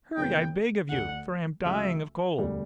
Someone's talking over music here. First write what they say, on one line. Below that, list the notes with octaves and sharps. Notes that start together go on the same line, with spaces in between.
"Hurry, I beg of you, for I am dying of cold."
F#1 F#2 C#3 E3 B3 G5
D2 D3 A3 F#5
D2 C#3 F#3 E5
E1 D2 D3 G3